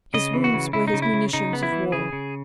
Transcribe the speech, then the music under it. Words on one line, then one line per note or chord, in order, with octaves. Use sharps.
His wounds were his munitions of war.
C#3 D#5
E3
F#4
C#3
C#3 E4
D#4
C#3
E4
C#3
C#3 D#4
B3
E4
E3
C#3 G#4
C#3